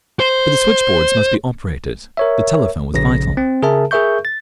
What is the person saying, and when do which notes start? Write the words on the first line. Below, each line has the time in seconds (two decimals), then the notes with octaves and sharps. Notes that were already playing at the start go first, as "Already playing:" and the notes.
But the switch-boards must be operated--the telephone was vital....
0.20 C5
2.17 A#4 C#5 E5
2.94 A#1 C#3 A#6
3.37 C4
3.62 C#3 G#4 A#4 E5 A5
3.91 G#4 A#4 E5 C#6 G6
4.25 A6